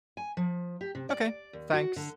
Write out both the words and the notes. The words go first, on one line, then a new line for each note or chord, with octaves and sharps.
Ok, thanks.
G#5
F3
G4
C3
D5
D#2
F#4
D3